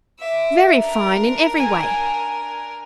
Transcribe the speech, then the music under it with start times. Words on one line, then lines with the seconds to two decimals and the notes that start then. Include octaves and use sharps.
'Very fine in every way.
0.20 E5 D6
0.73 D4 A#4
1.60 G#5